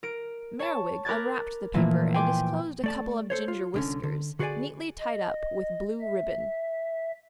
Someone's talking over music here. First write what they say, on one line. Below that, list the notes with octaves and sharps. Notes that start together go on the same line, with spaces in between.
Merriwig unwrapped the paper, and disclosed a couple of ginger whiskers, neatly tied up with blue ribbon.
A#4 D7
C#5 A5
A#4 B5 D6 F#6 G#6 A6
A#2 E3 F3 A3 A#3
G5 G#5 C6 D6 G6
A3 D5 A5
A4 C5 C#5
F4
C2 D3 C#4
D3
D3 F#4 G#4 B4 D5 G#5
D#5
E5